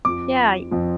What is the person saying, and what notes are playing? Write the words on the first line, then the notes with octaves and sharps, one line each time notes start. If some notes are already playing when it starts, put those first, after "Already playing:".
Yeah, y
F2 F3 D6
F2 F3